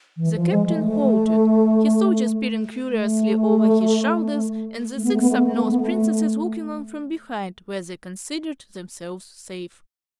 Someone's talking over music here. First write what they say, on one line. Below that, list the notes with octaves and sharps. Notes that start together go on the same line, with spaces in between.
The Captain halted, his soldiers peering curiously over his shoulders and the Six Snubnosed Princesses looking on from behind, where they considered themselves safe.
E3
F3
G#3
A3
A3
A3
A3
B3
A3
B3
A3
B3
A3
B3
A3
B3
A3